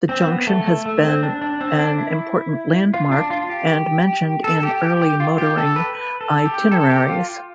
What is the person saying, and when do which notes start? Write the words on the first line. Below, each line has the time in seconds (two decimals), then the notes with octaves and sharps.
The junction has been an important landmark and mentioned in early motoring itineraries.
0.09 C4
0.28 B3
0.47 A3
0.66 A3
0.86 A3
1.05 C4
1.23 D4
1.42 D4
1.61 C4
1.79 D4
1.98 E4
2.94 F4
3.11 D4
3.30 F4
3.50 G4
4.44 A4
4.63 G4
4.82 G4
5.02 G4
5.20 F4
5.38 G4
5.58 A4
5.76 B4
5.95 B4
6.21 A4
6.45 G4
6.71 A4
6.90 G4
7.08 F4